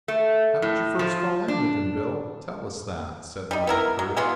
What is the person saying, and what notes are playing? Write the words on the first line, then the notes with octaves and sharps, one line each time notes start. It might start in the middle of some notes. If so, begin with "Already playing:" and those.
"How did you first fall in with him, Bill?--Tell us that," said one of the crew.
A3
A2
F3
D4
G3 D#4
B3 E4 A#4
F#3
E3 F#3 B3 F4